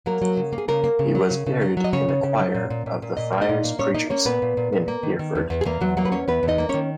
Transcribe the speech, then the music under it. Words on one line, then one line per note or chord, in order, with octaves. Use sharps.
He was buried in the choir of the Friars Preachers, in Hereford.
F#3 A#3 A#4
F#3
C#3
A#3
G#4
C#3 A#3 A#4
A#3
C#3
F#3
C#3
C#3
F#3
F#3
D#5
C#3 C#4 C#5
C#3
C#3
F#3
A#2
A#2
A#2
A#2
A#2 D#5
A#3
D#4 D#5
A#2
A#3
A#2 C#4 C#5
A#3 D#4 D#5
A#3 C#4 C#5
A#2 B3 B4
A#2
A#2
A#2
A#3
D#3
D#3
E2
E2
G#4
E2 A#3 A#4
E2 F#3 F#4
F#3 A#3 F#4
B4
E2 C#4 C#5
E2 B3 B4
E2
D#4 D#5
A#3
D#3 C#4 C#5